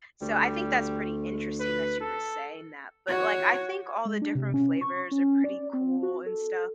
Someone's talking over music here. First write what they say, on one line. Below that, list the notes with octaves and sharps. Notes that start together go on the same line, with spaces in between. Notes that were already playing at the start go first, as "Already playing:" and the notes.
So, I think that's pretty interesting that you were saying that, but, like, I think all the different flavors are pretty cool and stuff.
D2 G3
B4
A4
F#4 C#5
G#3
D4
C3
C#4
C#6
C#4
D5
C4
F#4
A4